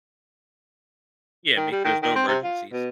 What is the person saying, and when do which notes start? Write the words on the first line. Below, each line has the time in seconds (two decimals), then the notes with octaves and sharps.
Yeah, make sure there's no emergencies.
1.57 D#3
1.72 G3
1.84 D#3
2.02 D#3
2.16 C4
2.28 C3
2.43 F4
2.72 B2